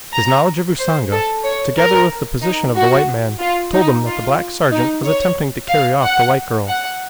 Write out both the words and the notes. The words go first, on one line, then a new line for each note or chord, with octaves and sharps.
His knowledge of Usanga, together with the position of the white man, told him that the black sergeant was attempting to carry off the white girl.
A#5
C5
A4
C#5
A#4
D#4
F#4
F4
D#4
F4
D#4
C#5
F5
F#5
F#5